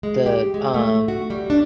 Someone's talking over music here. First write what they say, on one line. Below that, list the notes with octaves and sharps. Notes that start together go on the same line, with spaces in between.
the, um
G#3
G4
G#3
A3
F#4
G3
D4